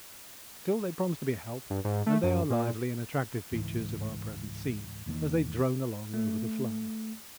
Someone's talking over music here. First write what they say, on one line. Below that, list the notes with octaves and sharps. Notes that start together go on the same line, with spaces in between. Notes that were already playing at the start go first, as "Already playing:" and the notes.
Still they promise to be a help, and they are lively and attractive features of our present scene as they drone along over the floe.
G2
G#2
A3
F#2
A#2
C#2 G#2 E3
E1 E2 D#3 A#3
A3